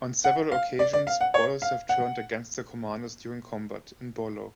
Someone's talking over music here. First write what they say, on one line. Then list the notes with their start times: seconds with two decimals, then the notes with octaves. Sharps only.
On several occasions, Bolos have turned against their commanders during combat: in Bolo!
0.24 F#5
0.52 F5
0.79 D5
0.93 D5
1.07 F5
1.21 F#5
1.34 C#5
1.62 F5
1.89 F#5